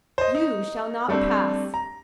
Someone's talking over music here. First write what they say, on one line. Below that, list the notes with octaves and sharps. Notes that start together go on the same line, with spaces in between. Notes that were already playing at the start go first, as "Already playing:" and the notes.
"You shall not pass!"
C5 D#5
D#4
G3 A3 C4 D4
A#5